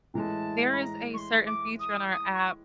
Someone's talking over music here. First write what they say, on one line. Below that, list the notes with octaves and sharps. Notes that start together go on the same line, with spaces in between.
there is a certain feature on our app,
A2 E3 G#3 A5 A#5
B5
A#5
C#6
C6
D6
D#6
D#6
C#6